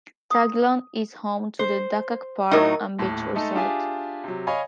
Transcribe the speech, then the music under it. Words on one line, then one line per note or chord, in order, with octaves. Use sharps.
Taguilon is home to the Dakak Park and Beach Resort.
D#6
C5
A2 F#3 D#4 A#4 D#5 C#6
D#1 A2 A5
G#3 A3 D#4 A4
D4 F4 G4 G#4 E5 G#5
C3 F#3
C#5 D#5 F5 G#5 B5